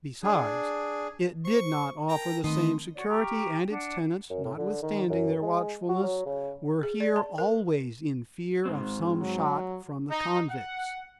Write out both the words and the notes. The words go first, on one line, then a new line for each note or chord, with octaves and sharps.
Besides, it did not offer the same security, and its tenants, notwithstanding their watchfulness, were here always in fear of some shot from the convicts.
D4 G#4
C5 C#6
A#4 G5 A5 A#5
D#3 A3 B3 C4 D#5
F#4 C#5 D5 F#5
G4 A#5 C#6 F6
D4 F#5
F#2
A2
D3
D#3
F#2
G#3
F#4
F#3
C#3
G#4
D5
A5
A#4
G#2 C4
F#3
D#4
F#5